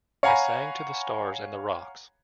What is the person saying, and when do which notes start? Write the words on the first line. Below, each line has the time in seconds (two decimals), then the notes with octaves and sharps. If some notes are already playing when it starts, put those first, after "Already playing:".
I sang to the stars and the rocks.
0.23 C#5 F5 F#5 G#5 A#5 B5